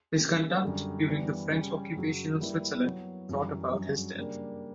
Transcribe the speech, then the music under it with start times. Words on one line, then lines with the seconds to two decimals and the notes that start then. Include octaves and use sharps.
His conduct during the French occupation of Switzerland brought about his death.
0.18 D3 A#3 C#4 G4
0.62 F#2 D3 G3
1.07 E3 G3 B3 D4
1.51 C#3 G3 C#4
1.96 F#2 C#3 F#3
2.40 G3 A#3 E4 B4 D5
2.84 F#3 B3 F#4 C#5
3.29 F#2 E3 G3
3.73 G2 F#3 C#4
4.18 C#3 G3 A#3 D4